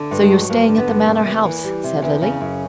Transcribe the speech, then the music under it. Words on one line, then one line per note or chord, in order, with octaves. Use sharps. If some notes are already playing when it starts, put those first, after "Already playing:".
"So you're staying at the Manor House," said Lily.
Already playing: D3
G2
G#3
F#3
G2 A#3
D3
B3
G2
C3 A#3
E2
E3
G3
C3
E2
C#3
F#2